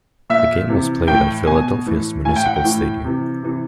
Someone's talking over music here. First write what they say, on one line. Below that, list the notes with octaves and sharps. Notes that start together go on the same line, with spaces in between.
The game was played at Philadelphia's Municipal Stadium.
A#2 E5
C3 E3
A2 E3 G5
B2 G#5
A2 E3
A2 E3 G#5
G5
F#5
G5
A2 E3
C3 E3
C3 E3